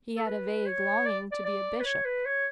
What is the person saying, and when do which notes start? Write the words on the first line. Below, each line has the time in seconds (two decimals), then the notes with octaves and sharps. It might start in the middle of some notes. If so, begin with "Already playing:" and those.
He had a vague longing to be a bishop.
0.16 A4
0.26 B4
0.66 C#5
1.06 D5
1.32 D5
1.45 D5
1.80 B4
1.85 C#5
2.05 B4
2.25 C#5